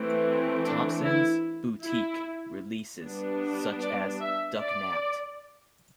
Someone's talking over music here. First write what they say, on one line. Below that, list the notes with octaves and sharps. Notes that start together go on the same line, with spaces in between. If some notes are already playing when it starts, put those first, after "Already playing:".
Thompson's boutique releases, such as Ducknapped!
Already playing: E3 A3 C4
D4
E4
E4
G3 B3 D4
D5
E5
D5